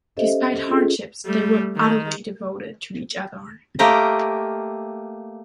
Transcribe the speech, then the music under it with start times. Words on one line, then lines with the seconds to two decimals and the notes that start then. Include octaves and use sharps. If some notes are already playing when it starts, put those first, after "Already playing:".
Despite hardships, they were utterly devoted to each other.
0.17 C#4 G4 A4 C5 D#5 E5
0.67 C#4 F4 G#4 A4
1.26 G3 A3
1.76 D#3
3.79 A3 A#3 G4 A#4 D#5